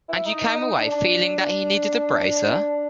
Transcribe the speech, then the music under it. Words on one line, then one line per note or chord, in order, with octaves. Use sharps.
And you came away feeling that he needed a bracer?
E4
D#4
D#4
D#4
D#4
D4
D4